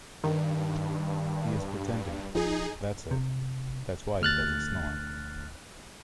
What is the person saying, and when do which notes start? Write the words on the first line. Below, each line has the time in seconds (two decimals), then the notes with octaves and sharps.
He is pretending. That’s it. That’s why he doesn’t snore.
0.24 G2 D#3
2.35 F2 D#4 G#4
3.11 C3
4.21 D2 F6 F#6 A6